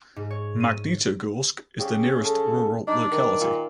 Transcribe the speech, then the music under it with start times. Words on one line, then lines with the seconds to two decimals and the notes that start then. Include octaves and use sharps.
Magnitogorsk is the nearest rural locality.
0.16 G#2
0.30 C#5
0.60 D#7
1.80 C#3 G4
2.25 A4
2.87 D4 D#4
3.12 D#3
3.41 A#2